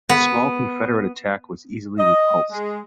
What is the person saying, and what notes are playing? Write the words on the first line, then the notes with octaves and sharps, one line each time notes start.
The small Confederate attack was easily repulsed.
B3
D#5
G#3